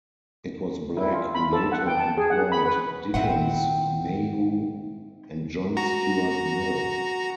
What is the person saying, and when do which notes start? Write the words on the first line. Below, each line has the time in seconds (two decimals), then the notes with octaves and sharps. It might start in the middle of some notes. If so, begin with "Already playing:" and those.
It was Black who later employed Dickens, Mayhew, and John Stuart Mill.
0.97 E4
1.11 F4
1.35 B5
1.53 A4
1.72 F#5
1.87 G5
2.00 A5
2.17 G#4
2.30 F#5
2.52 B5
2.66 B4
3.14 A#2 D#3 C4 E4 F4 F#5
5.77 F#4 A#5